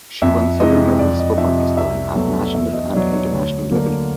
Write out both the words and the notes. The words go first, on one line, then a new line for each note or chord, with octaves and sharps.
She won several medals for Pakistan at national and international level.
F2 E5
C3 E3 G#3 D#5
F2 D5
D#5
C3 F3 E5
D#5
C2 E5
B2 F#3 A3
E2 E5
D#5
B2 F#3 D5
C#5
D2 C#5
D3 F#3 A#3